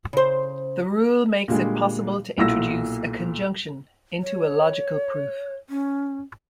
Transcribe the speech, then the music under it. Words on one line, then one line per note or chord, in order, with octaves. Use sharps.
The rule makes it possible to introduce a conjunction into a logical proof.
C#3 C5
A#2 D3 G3 G#3
B1 A#2 E4 E6 A#6
C#5
C#4